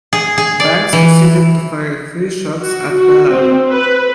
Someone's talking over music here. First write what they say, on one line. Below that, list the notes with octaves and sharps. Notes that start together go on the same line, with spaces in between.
Banks proceeded to fire three shots at Bell.
G#4
G#4
D5
E3
F#4
F#4
C4
B4